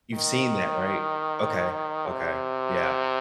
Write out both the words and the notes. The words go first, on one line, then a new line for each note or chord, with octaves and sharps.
You've seen that, right? Okay, okay, yeah.
D#3
C3